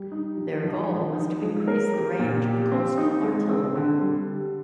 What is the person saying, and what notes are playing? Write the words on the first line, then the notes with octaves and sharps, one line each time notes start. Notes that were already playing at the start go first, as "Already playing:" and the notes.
Their goal was to increase the range of coastal artillery.
Already playing: G3
D#4
F3
F3
F3
D#4
G#3
A#4
G4
A#2
G4
C4
D#4
G#3
C4
D3
G3